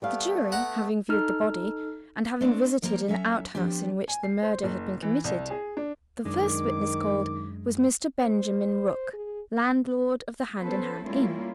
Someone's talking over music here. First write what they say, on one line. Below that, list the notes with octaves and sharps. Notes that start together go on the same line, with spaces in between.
The jury having viewed the body, and having visited an outhouse in which the murder had been committed, the first witness called was Mr. Benjamin Rook, landlord of the Hand-in-Hand inn.
G3 A3 B3 D5 F5
F#5 A#5 B5
D#4 A4 F6
A3 B3 C4 D4
F3 G3 A#3 C5 C#5 A#5
F#3 C#4 A4 E5 A#5
F3 B3 C4 D4 G4
G#5
C7
C5
F#1
E3
C2
G#4
D4
F#2 D#3 G#3 D4 D6
C5
G#4
B3 C#4 A4 B4 C5
G3 A3 A#3 C#4 E4 F4